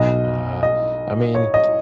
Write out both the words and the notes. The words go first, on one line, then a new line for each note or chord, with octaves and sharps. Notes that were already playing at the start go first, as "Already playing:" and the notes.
Ah, I mean,
Already playing: B1 B2 D#5
D#5
C#5
D#5